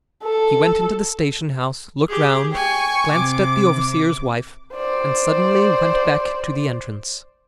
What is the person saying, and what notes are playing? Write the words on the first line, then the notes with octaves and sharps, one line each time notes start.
He went into the station house, looked round, glanced at the overseer's wife, and suddenly went back to the entrance.
A4
G4 G#4
G5 G#5 C#6
C3 D6
C5 D5